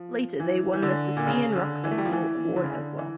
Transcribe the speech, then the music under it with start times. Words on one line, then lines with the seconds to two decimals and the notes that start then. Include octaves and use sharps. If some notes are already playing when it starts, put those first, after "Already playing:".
Later they won the "Sisian Rock Festival" award as well.
Already playing: F3
0.40 E3
0.73 E3
0.82 D3
1.17 A#2
1.27 C#3
1.56 D3
1.84 E3
1.91 A3
1.98 G3
2.05 F3
2.13 E3
2.56 D3
2.64 C#3
2.71 D3
2.98 E3